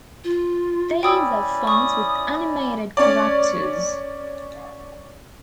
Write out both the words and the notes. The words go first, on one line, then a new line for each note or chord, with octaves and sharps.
These are fonts with animated characters.
F4
C#4 E4 D5 G5 D#6 E6
C#6 D#6
C#4 C#5 D5